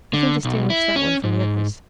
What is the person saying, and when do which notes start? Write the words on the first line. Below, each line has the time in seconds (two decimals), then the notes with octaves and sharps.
Nothing distinguished that one from the others.
0.14 D3
0.45 B1
0.70 E4
0.96 C#4
1.24 G#2